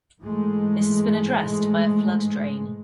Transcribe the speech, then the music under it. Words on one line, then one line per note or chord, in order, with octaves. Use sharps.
This has been addressed by a flood drain.
G#2 E3 G#3 A3